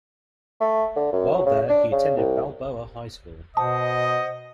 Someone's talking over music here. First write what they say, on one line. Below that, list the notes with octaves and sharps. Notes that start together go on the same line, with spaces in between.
While there he attended Balboa High School.
A3
D3
F#2
F#3
C#3
D4
C#3
C2
B2 C5 D#5 F#5 A5 D#6